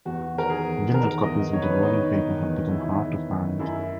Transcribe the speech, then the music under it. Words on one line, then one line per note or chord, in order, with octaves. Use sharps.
Vinyl copies with the rolling paper have become hard to find.
E2 F#4
D#3 A#4
G#4
E2
D#3 A#4
E2 D#5
D#3 C#5
B4
C#5
E2 D#4
D#3
E2
D#3 E4
E2
D#3
F#2 E4